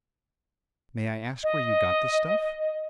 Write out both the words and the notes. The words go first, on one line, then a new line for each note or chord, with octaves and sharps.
"May I ask where you got the stuff?"
D#5